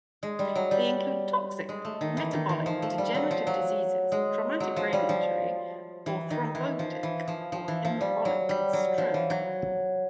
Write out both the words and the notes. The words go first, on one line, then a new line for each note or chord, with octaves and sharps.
They include toxic, metabolic, degenerative diseases, traumatic brain injury, or thrombotic or embolic stroke.
G#3
G3
F#3
G3
G#3
A3
D#3
E3
D#3
E3
F3
A3
G3
F#3
F3
F#3
G#3
F#3
F3
G3
F3
E3
D#3
E3
F3
E3
F3
F3
E3
F3
G3
F#3
G3
F#3
F3
E3
F#3